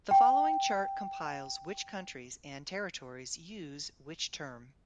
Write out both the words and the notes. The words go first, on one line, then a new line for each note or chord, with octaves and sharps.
The following chart compiles which countries and territories use which term.
G5